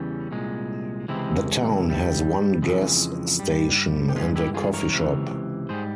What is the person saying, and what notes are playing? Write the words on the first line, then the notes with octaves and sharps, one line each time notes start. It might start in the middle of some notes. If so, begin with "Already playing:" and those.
The town has one gas station, and a coffee shop.
Already playing: E2 C#3 E3 G3 C#4
C2 A#2 G#3
C#2 C3 E3 G#3 C4 E4
G2 G3
F2 C#3 E3 G#3
G2 G3
G4
G2 E3 G#3 C#4 F4
E4 G4
F4 G#4
A#4 C#5
C#2 C3 E3
G#2 G3 G#4 C5